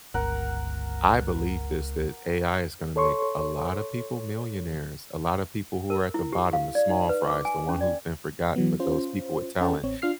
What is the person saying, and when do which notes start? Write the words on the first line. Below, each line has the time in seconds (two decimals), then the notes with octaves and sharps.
I believe this, that AI is gonna make a lotta people millionaires, a lotta people who are at the bottom, the small fries, the one who've been forgotten, but those people with talent
0.14 G1 C#2 A#4 F#5
2.96 A4 C#5 C6 C#6
5.90 A#4
6.14 E4
6.32 G4
6.53 F5
6.75 D5
6.89 D#4
7.09 B4
7.28 D6
7.45 G#5
7.69 C#4
7.81 D5
8.56 E3 F#3 B3
8.80 C#4 F4 C5
9.61 C#4 A4 F#5 G5 A5
9.83 A1 C4 C#5
10.02 D4 F4 F6 C7